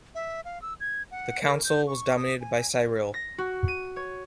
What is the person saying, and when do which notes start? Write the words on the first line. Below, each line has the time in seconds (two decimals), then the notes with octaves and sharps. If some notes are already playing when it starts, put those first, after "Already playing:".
The Council was dominated by Cyril.
0.15 E5
0.45 F5
0.62 E6
0.80 G#6
1.11 F#5
1.43 A#4
1.64 G6
1.87 C#6
2.17 D#6
2.41 G#5
3.14 A#6
3.38 F#4
3.68 D#7
3.96 C#5